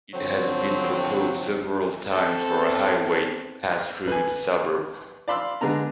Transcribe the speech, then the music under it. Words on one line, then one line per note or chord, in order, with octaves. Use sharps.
It has been proposed several times for a highway to pass through the suburb.
D3 F3 F#3 C4
C4 A4
B4 G#5
D5 F5 B5 C6 E6
D3 G#3 B3 A#5